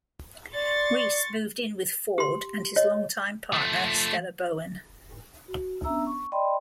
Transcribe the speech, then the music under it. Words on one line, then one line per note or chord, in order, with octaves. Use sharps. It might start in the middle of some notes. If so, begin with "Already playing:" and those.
Rhys moved in with Ford and his longtime partner, Stella Bowen.
D5 C6 C#6 A6
G4 C6
C#5 D#5
F3 A3
F#4
B3 C#4 D4 E5 A#5 E6
C#6
D5 D#5 G5 B5 C6